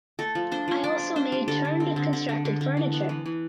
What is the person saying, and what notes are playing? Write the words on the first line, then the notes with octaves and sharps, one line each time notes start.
I also made turned and constructed furniture.
A3 A4
F3
D4 C5
F3 C5
D4 D5
D4
D4 C5
G3
D3 A4
D3
C4
D3
D3
D3
D3
D3
E3
B3
E3
E3